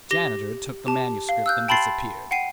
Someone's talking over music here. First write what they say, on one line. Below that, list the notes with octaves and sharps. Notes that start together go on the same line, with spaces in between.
The janitor took the manuscript and disappeared.
G4 A#6 G7
G4 A5
F5
E6 F#6 G6
G5 A5 B5 C6 A6 C7
F#5 G5 C7 D#7